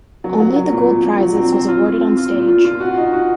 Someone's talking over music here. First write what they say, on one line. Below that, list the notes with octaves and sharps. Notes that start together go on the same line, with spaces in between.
Only the Gold Prizes was awarded on stage.
F#3
F#3
F#3
A#2
A#2
A#2
F#3
C4
C4
F4
F4
C4
F4
A#2
F4
F4
F#4
D#4
F#4